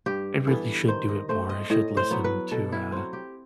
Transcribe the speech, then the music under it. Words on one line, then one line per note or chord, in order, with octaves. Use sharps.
I really should do it more. I should listen to, uh,
G2 G4
E3 B3 A4
D#3 C5
D#5
A3 C4 C5
D#5
A2 D#5
C5
F#3 B3
B4
B2 A4
E4
F#3 C4
G4